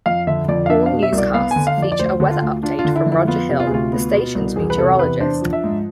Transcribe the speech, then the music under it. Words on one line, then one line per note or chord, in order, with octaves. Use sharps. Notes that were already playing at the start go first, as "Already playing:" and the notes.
All newscasts feature a weather update from Roger Hill, the station's meteorologist.
F2 F5
D3 E5
F2 D5
F5
D4 E5
F5
B2
E5
C2
D5
B3 F5
G#5
D3
F5
F2 D5
D5
D2 C5
D3
F4
D2
D4 F4
F4
D3
E4
F2
E4
B3 F4
C3
F4
G#4
D2 F4
B3
B2
C2
E2 G#4
B4
C3 A4
E2 B4
D4 C5
F3
E5
G#2